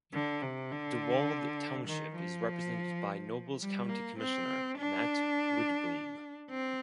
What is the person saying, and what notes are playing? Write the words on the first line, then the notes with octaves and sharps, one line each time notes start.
Dewald Township is represented by Nobles County Commissioner Matt Widboom.
D3
C3
D3
D#3
F3
G3
A#3
C4
D4
C4